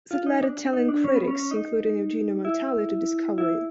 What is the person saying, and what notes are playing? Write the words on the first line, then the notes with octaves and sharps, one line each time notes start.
That led Italian critics, including Eugenio Montale, to discover it.
F4
D#4
D4
D#4
D4
C#4
B3
C#4
C#4
D#4
E4
E4